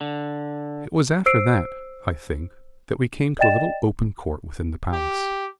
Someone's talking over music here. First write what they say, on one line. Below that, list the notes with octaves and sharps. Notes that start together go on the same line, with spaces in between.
'It was after that, I think, that we came to a little open court within the palace.
D3
C5 E6 C7 D7
D5 D#5 G5 A6 E7
G4